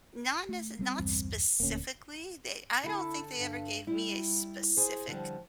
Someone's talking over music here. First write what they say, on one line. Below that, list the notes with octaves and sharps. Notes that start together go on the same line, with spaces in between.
Not nece not specifically. They I don't think they ever gave me a specific
A3
G3 G#3 C4
B1 E2 G2
D#1 D2 A#3 C#4
D3 E4 A4
G2
G3 E4
G#4 C5
D3 F3 G3